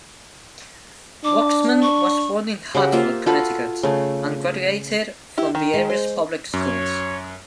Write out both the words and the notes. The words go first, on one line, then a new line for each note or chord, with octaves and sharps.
Waxman was born in Hartford, Connecticut, and graduated from the area's public schools.
D4 D6
C#6
C#3 F#4 G4 F#5
A#3 F4 C5 E5
F4 F#4 A4 B4
C#3 A3
E4 G4
D#3
G#3
C5
F#2 C#5